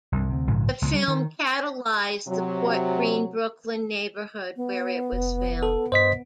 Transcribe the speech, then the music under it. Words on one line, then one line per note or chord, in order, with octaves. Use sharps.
The film catalyzed the Fort Greene, Brooklyn neighborhood where it was filmed.
C2 G2
D2 C3
A#1 G#2 C#3 G#3
C#2 B2
G3
D#3
C3 F#3
B3
F1
A4
G2 C5 D#5 B6